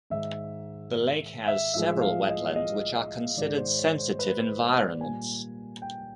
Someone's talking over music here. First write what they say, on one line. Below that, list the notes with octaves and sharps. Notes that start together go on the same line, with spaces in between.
The lake has several wetlands which are considered sensitive environments.
G#2 D#3 G#3 E5
E5
A2 F3 G#3 E5
F5
D#5
D#5
G#2 D#3 G#3 D5
C5
C#5
C5
B4
C5
D5
A#2 G3 A#3 G#5
G5